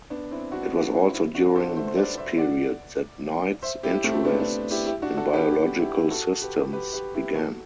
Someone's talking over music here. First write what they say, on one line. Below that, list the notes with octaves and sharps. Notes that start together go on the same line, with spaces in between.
It was also during this period that Knight's interests in biological systems began.
B3 D4
C4 E4
D4 F#4
B3 D4
C4 E4
C4 E4
D4 F#4
A4 C5
C5 E5
C5
B4 D5
C5 E5
D5 F#5
C5 E5
E4 G4
A3 C4
B3 D4
B3 D4
E4 G4
E4 G4
D4 F#4
F#4 A4
G4 B4
E4 G4
F#4 A4
G4 B4
G4 B4
G4 B4
E4 G4
F#4 A4